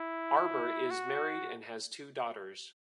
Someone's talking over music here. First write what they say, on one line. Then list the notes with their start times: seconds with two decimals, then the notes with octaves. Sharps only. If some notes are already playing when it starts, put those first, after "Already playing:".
Arber is married and has two daughters.
Already playing: E4
0.91 F#4